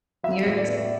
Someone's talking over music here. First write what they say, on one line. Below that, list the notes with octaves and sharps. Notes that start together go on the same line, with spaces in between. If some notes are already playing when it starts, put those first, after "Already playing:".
You're ex
F#3 E5
A2
D5
B3